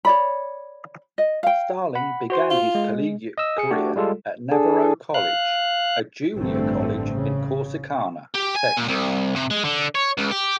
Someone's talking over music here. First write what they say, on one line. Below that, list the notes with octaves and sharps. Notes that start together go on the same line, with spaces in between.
Starling began his collegiate career at Navarro College, a junior college in Corsicana, Texas.
C#5 D5 B5
D#5
F5 G5
F#5 B5
F#4 C5 C6
F4
G#3
D#5 E6
G#4 C#7
A3 D4 F#4 G4
G3 G#3 F4 A4
D4 G#4 A4
F5 F#6
A1 G2 D3 A3 C4
C#3
G4
G#5
A#2
C2
C3
G#3
D3
C#5
C#2
G4